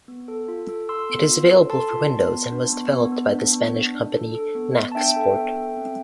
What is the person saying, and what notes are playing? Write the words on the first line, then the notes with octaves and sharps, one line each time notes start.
It is available for Windows and was developed by the Spanish company Nacsport.
B3
A4
F4
A4
A4 C6 E6
B3
F4
A4
A4 A5 C6
F4
B3
B3
D4
B3
B3
B3
D4
B3
D4
D4
A4
A4
B3
B3
A5
D4 E5 G5
A4
B3
A4
C4